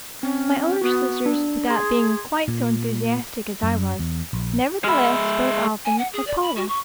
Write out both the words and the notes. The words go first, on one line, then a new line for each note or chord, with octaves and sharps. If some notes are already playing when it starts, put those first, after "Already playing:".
My older sisters without being quite so enthusiastic as I was, nevertheless spoke often of Paula.
C4 C#4
B3 F#4
D4
G#4 C6 G#6
A#2
F#2
E2
A#1
G#3 E5 B5 F6
G#5
F#5
G#4
D5
B5
F#4
C#6